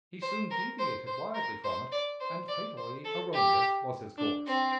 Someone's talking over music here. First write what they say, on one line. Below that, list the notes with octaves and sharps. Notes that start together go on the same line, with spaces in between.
He soon deviated widely from it--and fatally erroneous was his course.
C5
A#4
C5
C5
A#4
C5
D5
C5
D5
C5
A4
G4
D4
C4